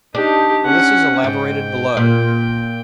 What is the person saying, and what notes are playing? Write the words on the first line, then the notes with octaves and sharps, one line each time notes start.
This is elaborated below.
D4 D#4 G4
C#4 F#5
G#2 G5
A#2